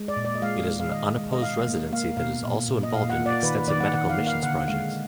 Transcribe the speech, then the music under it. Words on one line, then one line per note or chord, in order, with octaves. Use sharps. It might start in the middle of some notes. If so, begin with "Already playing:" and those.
It is an unopposed residency that is also involved in extensive medical missions projects.
Already playing: G#3
D5
A#2
D5
D#5
G#3 F5
G#3
F5
D#3 D#5
G#3
D#5
B2 F5
A#3
A#3 F5
B2 F5
A#2
A#2
D#5
A#2 F5
F#5
A#3
D5
D#3 B4
B4
D#3 D5
F#5
D#3 F#5
F5
A#3
F5
D3 F#5
G#3 F5